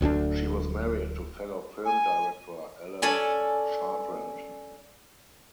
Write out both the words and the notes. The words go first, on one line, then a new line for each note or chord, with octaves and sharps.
She was married to fellow film director Alain Chartrand.
D1 D2 C#4 D4
G#5
C#4 A4 D5 G#5